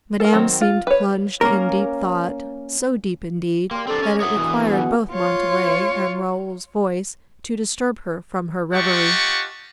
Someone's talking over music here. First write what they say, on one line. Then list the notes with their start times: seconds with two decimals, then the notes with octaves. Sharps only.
Madame seemed plunged in deep thought, so deep, indeed, that it required both Montalais and Raoul's voice to disturb her from her reverie.
0.20 A4 A#4
0.32 D#3 F#3 C4
0.61 F4
0.87 B4 C#5
1.41 A#3 C#4 A#4
3.71 A#3 G4 A#4 D5 C6
3.87 C4 D4 A4
4.03 D3 C#4 D6
4.20 F#2 C#5 E5 F#5 D#6
4.36 B2 D3 E3 B3 F#4
4.72 B2 G#4 F#5
5.13 F4 C#5
8.73 F4 G4 D#5 F#5 A5 C#6